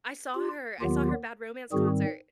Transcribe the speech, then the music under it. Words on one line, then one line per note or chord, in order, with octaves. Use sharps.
I saw her I saw her Bad Romance concert.
F4 G4
D#2 D#3 F#3 B3 F4 G4
G#2 D#3 G3 C4 F#4 G#4